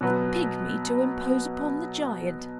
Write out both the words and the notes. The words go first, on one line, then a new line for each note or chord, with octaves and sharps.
The pigmy to impose upon the giant.
B2 F#3 B3